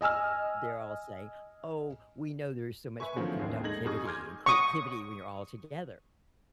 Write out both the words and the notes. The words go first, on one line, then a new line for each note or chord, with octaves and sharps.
They're all saying, "Oh, we know there's so much more productivity and creativity when you're all together,"
D#5 G#5 E6 F6
B4 E5 G#5 C#6
D3 D#3 F3 F#3 A3 C4
A1 D#2 E4 G#4
G#3 A3 D#4 G#6 A#6 F#7
F2 D#4 G4 G#4 C#6 D#6
G#5 C6 D6 F6 G6 G#6
C#6 D#6